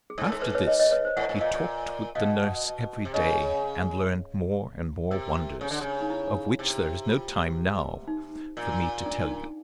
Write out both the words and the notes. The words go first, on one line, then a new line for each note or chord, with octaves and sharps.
After this he talked with the nurse every day, and learned more and more wonders, of which there is no time now for me to tell you.
G#4
G#2 A4
A2
G#2 A#4
B4
B4 C#5
C#5 D#5
C#5 D#5
B4 C#5
C5
A2 E5 F#5
A2
A#2 D#5 F5
A#2
B2 D#5 F5
C3
C#3 C#5 D#5
C3 A#4
C#3
D3
C#3
D#4
E4
C3
F4
D#4
A#2
D4
D#4
D4